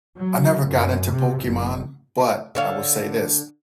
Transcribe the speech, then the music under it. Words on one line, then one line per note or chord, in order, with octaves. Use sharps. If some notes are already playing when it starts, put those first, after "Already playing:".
I never got into Pokemon, but I will say this,
F#3
F#2
C3
F#1
D3 C#5 F5